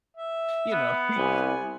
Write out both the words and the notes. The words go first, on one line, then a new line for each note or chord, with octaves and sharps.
you know, he
E5
B3
C2 G#5